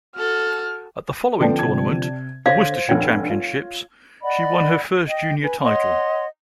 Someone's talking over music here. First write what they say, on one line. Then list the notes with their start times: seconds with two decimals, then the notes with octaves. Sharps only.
At the following tournament, the Worcestershire championships, she won her first junior title.
0.16 F#4 A4 F6
1.40 D3 F3 B3 C#4 A4 D5 G5 A5
1.59 C3 G#6
2.46 D3 C5 C#5 F5 G#6 A#6
2.89 F1 G2 C#5 F#5 G5
3.30 F4
4.22 D5 D#5 F#5 B5
5.07 D#5 G5
5.42 B4 G#5
5.62 C#5 D#5 F#5 C6